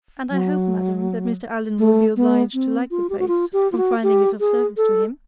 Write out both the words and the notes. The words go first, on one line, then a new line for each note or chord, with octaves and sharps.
"And I hope, madam, that Mr. Allen will be obliged to like the place, from finding it of service to him."
F#3
A3
B3
C4
F4
G4
F#4
F4
G4
F4
F#4
G4
G#4
A4